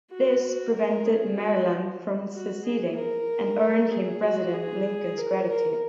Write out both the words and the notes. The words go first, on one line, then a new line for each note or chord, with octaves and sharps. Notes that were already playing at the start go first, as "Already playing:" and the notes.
This prevented Maryland from seceding, and earned him President Lincoln's gratitude.
F#4
F#4
A#4
G#4
F#4
F#4
G#4
A#4
G#4
F#4
G#4
A#4
A#4